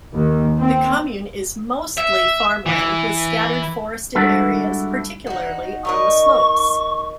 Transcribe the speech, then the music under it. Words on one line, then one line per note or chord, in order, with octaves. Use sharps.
The commune is mostly farmland with scattered forested areas particularly on the slopes.
D#2
C4
E5
E3
G3 G#3 D4 E4 F#4 A4
D#4 F#4
D#4 A#4 D#5 C#6